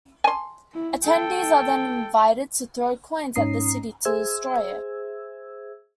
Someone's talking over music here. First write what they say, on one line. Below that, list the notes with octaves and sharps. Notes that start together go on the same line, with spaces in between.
Attendees are then invited to throw coins at the city to destroy it.
G#5 C6
E4
A4 G5
G#2 C#4 D#4 A#5 D#6 C7
G#4 C5 E5 E6 G#6